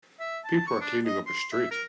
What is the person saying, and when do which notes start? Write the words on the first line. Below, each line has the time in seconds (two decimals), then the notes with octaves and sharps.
People are cleaning up a street.
0.20 E5
0.44 A5
0.67 C#6
0.80 D4
1.06 D#5
1.26 C6
1.52 E5
1.71 A#4